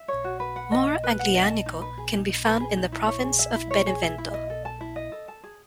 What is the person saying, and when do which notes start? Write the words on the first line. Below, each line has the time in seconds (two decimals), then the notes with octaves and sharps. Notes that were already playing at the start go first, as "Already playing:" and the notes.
More Aglianico can be found in the province of Benevento.
Already playing: E5
0.08 C#5
0.24 F#4
0.40 B4
0.56 F#5
0.72 D#5
0.87 A5
1.03 B4
1.19 F#5
1.35 D#5
1.50 A5
1.66 D#4
1.82 B4
1.97 G#4
2.13 D#4
2.29 D#4
2.44 B4
2.60 G#4
2.77 D#4
2.92 E4
3.08 C#5
3.23 G#4
3.39 E5
3.55 E4
3.71 C#5
3.86 G#4
4.02 E5
4.18 E4
4.34 D#5
4.50 A4
4.65 A5
4.81 E4
4.96 D#5
5.12 A4
5.28 A5
5.44 G#4